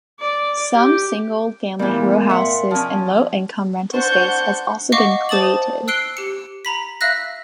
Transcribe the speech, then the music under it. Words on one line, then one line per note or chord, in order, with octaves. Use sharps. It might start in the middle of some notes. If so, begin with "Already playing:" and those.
Some single-family rowhouses and low-income rental space has also been created.
D5
G4
A#2 E3 G3 A3 B3 G#4
E5 F#5 C6
F3 C#4
D4 C5 F#5 C#6 G6
D#5 F5 F#5 C#6 D6
C5 A5 D#6 A6 F#7
E6 F#6 C7 D7 G7
G4 C#7
A#5 B5 B6
E5 F5 E6 F#6 A#6